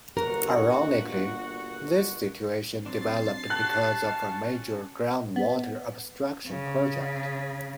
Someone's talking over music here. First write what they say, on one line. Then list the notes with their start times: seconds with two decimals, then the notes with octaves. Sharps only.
Ironically, this situation developed because of a major groundwater abstraction project.
0.17 G1 A#2 F#4 A#4
2.86 F#3 C4 D4 A6 C7
3.50 G4 C#5 F#5 A5 F#6
4.04 C#4 F#4 F6
5.36 B3
6.48 C#3